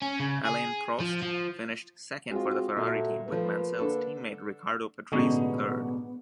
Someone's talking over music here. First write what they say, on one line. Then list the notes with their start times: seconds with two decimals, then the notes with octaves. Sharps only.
Alain Prost finished second for the Ferrari team with Mansell's teammate Riccardo Patrese third.
0.02 C#4
0.20 C#3
0.46 G#4
1.00 F3
1.22 F3
2.31 G#3 C4 F4 F#4
2.77 A#2 F#4 A4 E5
3.28 F3 A3 A#3 B4
3.78 D3 D4 A4
5.12 A1 B2 D3 G#3 B3 D#4 C#6